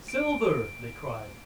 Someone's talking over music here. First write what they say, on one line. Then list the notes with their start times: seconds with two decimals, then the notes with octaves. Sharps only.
"Silver!" they cried.
0.08 D7